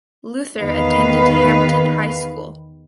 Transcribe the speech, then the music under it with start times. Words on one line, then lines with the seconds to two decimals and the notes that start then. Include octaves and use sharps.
Luther attended Hampton High School.
0.59 E2 D#3 B4 F5